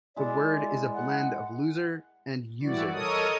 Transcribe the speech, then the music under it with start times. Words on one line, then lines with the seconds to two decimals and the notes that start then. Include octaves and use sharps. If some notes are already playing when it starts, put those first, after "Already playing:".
The word is a blend of "loser" and "user".
0.16 G#3 E4 D5
0.94 F#5
2.62 E3 G3 E4 F#4 D5
2.93 A4 A#4 C#5 D#5 D#6